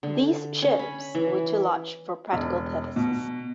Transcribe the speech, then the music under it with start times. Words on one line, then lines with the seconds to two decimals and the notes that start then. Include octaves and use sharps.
These ships were too large for practical purposes.
0.03 D3
0.62 C#4
0.79 B5
1.15 E3
2.33 E1
2.96 B2